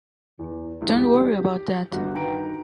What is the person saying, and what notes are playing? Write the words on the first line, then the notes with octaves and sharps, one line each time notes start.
Don't worry about that.
E2
D#1 G#1 C#2 E4
G4
G1 F#4 F#5
D#3 B4 G5 A#5 D7